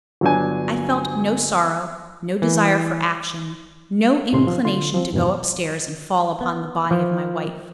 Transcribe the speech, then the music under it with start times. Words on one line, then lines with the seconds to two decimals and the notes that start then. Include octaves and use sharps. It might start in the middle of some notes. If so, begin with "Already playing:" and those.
I felt no sorrow, no desire for action, no inclination to go upstairs and fall upon the body of my wife.
0.21 G1 F#3 D4 G#5
2.42 E3
4.32 C#2 A2 C3 D#3 C#4 C6
4.47 F3
4.65 D3 F4 C6
4.94 F3 C4
5.12 E2 G2 B2 E3
6.41 B3
6.91 F3